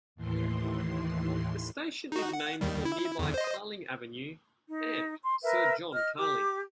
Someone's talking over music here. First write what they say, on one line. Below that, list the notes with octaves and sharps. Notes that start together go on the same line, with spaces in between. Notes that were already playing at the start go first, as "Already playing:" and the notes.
The station is named for nearby Carling Avenue and Sir John Carling.
D#2 A2 E3 C6
D#4 F#4
F#5
D#2 D#3 G3
E4
E2 D3
C5 D#5
D#4
C6
A#4 B4 E5
D#5 F6
G4 D6